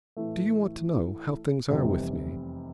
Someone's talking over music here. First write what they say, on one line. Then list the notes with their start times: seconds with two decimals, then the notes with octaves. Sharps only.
"Do you want to know--how things are with me?"
0.17 A2 E3 A3
1.69 F1 E2 C3 G3 C4